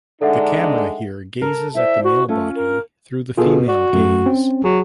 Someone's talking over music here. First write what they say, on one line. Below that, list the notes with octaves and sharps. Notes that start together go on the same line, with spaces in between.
The camera here gazes at the male body through the female gaze.
D3 G#3 D4 D#4 A4 E5 F#5
A4 A#4
E4 C5 D5 E5
F#4
A3 C#4 F4
A#4
B2 F4 G#4 A4
F#4 D5
F#2 A3
C4 C#4
F#3 G#4